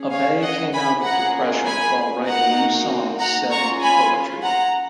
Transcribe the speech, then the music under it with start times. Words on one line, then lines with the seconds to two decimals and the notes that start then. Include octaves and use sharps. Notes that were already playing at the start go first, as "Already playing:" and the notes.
Abay came out of depression while writing new songs set into poetry.
Already playing: C#4 G#4
0.11 C#5 F5
0.42 D#5 F#5
0.73 G#5 B5
1.04 A#3 C#4 F4 G#4 F#5 A#5
1.66 G#5 B5
2.27 A#3 D#4 F#4 F#5 A#5
3.19 F#5 A#5
3.51 C#4 F4 G#4 A#5 C#6
3.82 G#5 B5
4.43 F#5 A#5